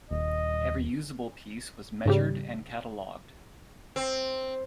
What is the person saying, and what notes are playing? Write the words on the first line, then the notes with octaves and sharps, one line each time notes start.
Every usable piece was measured and catalogued.
D#1 D#5
G#2 C#3 G3
C4